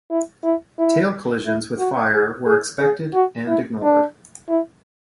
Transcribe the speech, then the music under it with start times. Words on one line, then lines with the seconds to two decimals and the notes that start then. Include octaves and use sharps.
Tail collisions with fire were expected and ignored.
0.11 E4
0.44 E4
0.78 E4
1.46 E4
1.79 F#4
2.13 G#4
2.46 G#4
2.81 G#4
3.14 F#4
3.48 E4
3.83 D4
4.49 E4